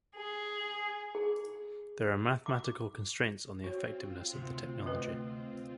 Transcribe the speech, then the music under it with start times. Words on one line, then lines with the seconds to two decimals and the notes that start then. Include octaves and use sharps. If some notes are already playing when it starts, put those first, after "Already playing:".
There are mathematical constraints on the effectiveness of the technology.
0.14 G#4
1.15 G#4
2.46 D6
3.64 C4 F4 F#4 C#5
4.33 D2 C3
4.86 A3 B4